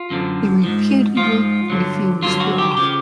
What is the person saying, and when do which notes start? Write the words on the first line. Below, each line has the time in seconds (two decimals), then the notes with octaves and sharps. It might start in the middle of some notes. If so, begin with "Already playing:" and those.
He reputedly refused the offer.
Already playing: F4
0.10 F#2 D3 F3
0.63 G#2 F3
1.17 G#2 F3 F4
1.70 G2 D3 F#3
2.23 G2 D3 F#3 F4
2.40 F#4
2.58 G4
2.77 C#3 F3 G4